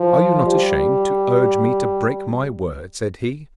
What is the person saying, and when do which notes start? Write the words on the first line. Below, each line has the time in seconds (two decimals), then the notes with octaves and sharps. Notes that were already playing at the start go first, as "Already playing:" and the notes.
'Are you not ashamed to urge me to break my word?' said he.
Already playing: F3
0.46 G3